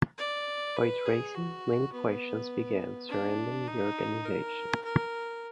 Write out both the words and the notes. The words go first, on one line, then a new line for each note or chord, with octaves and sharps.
Foyt Racing, many questions began surrounding the organization.
D5
B4
G#4
F#4
B3
D4
D#4
A#4
A#4